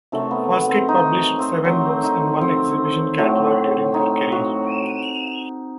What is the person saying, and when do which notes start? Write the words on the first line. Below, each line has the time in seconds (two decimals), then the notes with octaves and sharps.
Foskett published seven books and one exhibition catalogue during her career.
0.12 C3 D#3 F#3 A3 A4
0.31 B3
0.50 B3
0.70 C4
0.89 D#4
1.39 C4
1.65 D#3 F#3 A3 C4
2.03 D#4
2.41 C4
3.18 A2 F#3 A3
3.94 D#4
4.32 F#4